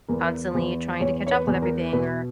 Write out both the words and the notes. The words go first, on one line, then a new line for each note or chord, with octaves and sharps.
constantly trying to catch up with everything or,
E2 A#4
E2
E2 C#5
C#5
B4
E2
A#4
B2 B4